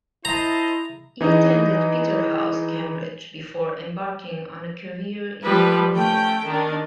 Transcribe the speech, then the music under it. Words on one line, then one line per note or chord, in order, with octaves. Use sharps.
He attended Peterhouse, Cambridge before embarking on a career in the army.
E4 C5 D#5 A5 A#5
E3 D#4 G#4 D#5
F3 G3 B4
A3 C#4 G5
D#3 D4